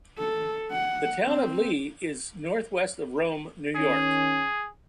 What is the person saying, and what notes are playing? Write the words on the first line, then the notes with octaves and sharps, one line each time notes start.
The Town of Lee is northwest of Rome, New York.
A4
F#5
C4
D#3 C#4 G#4